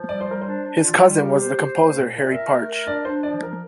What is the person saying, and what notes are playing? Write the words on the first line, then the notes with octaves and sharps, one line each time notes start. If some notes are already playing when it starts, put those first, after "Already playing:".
His cousin was the composer Harry Partch.
Already playing: F3
G3 D5
C5
G3 A#4
D4 C5
D4
F4
G3
G4 A#4
C5
C5
A3
A#2
A#2
A#4 E5
A3
A#4
D4 D5
D4 C5
F3 D5
F3 A#4